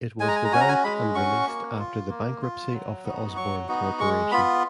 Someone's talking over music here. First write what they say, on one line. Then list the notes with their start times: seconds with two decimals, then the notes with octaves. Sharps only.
It was developed and released after the bankruptcy of the Osborne corporation.
0.20 G#3 G#5
0.28 A#5
0.36 G#5
0.45 A#5
0.52 C#4 F#4 G#5
0.61 A#5
0.68 G#5
0.84 G#3 B5
1.15 C#4 F#4 C#6
1.47 A#3
1.79 F4
2.10 A#3
2.42 F4
2.73 F#3
3.04 B3 D#4 F#4
3.36 F#3 C#6
3.68 B3 D#4 F#4
4.00 G#3 C#6
4.31 B3 F4 B5